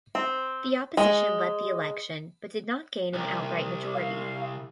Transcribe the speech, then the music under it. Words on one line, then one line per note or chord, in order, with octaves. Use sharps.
The opposition led the election, but did not gain an outright majority.
C4
G#3
C2
F5